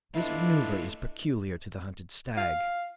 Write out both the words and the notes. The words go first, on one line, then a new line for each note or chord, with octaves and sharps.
This manoeuvre is peculiar to the hunted stag.
A3 D4 E4 F4 B4 D#5
F5